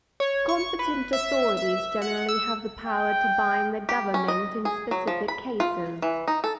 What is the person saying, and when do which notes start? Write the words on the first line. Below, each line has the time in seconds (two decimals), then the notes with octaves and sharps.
Competent authorities generally have the power to bind their government in specific cases.
0.20 C#5
0.49 C#6
0.79 B4
1.13 E5
1.57 E5
2.02 F#5
2.29 E6
2.86 G5
3.89 G4
4.14 C#4
4.28 D#5
4.65 G#4
4.91 F#3
5.07 F3
5.28 B5
5.60 F4
6.02 E3
6.28 D#4
6.44 A4